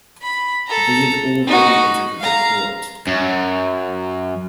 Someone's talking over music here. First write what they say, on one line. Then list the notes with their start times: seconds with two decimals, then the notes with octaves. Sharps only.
They had already entered the court.
0.22 B5
0.67 A4 A#5
1.47 D#4 F#4
2.20 F5 A#5
3.07 F#2